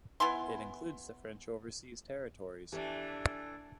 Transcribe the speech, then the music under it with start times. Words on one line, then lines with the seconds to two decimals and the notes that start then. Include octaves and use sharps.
It includes the French overseas territories.
0.20 B3 E4 G#5 C6
2.73 E3 A3 D4 G4 E5